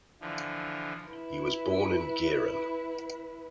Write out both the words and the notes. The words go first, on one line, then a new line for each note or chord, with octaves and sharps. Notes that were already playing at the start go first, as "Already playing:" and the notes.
He was born in Gehren.
D3 E3 F3
E4 B4